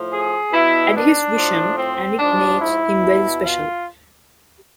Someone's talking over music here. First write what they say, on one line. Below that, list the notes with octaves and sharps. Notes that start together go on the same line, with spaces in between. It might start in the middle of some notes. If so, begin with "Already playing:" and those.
Add his vision and it makes him very special.
Already playing: A2 F3
G#4
B2 E4
D4
A2 F3
C4
G#2 F3 D4
E4
B2
F4